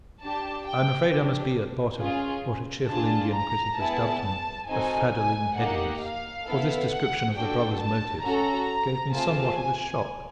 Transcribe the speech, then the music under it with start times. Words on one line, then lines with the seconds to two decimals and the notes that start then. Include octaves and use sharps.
I am afraid I must be at bottom, what a cheerful Indian critic has dubbed me, "a faddling hedonist," for this description of the brother's motives gave me somewhat of a shock.
0.23 D4 G4 A5
0.67 G5
1.12 D4 G4
2.01 C#4 F4 G#4
2.89 D4 F4 G#4 A5
3.35 A#5
3.79 B3 E4 G#4 A5
4.68 C4 D#4 F#4 A4 G#5
5.13 G#5
5.57 A#3 D#4 G4 F#5
6.02 F5
6.46 B3 E4 A4
6.91 F#5
7.35 D4 F#4 A4 G5
7.80 A5
8.25 C#4 F#4 A4 A#5
9.13 A3 C4 F4 G#4 A5
9.58 G#5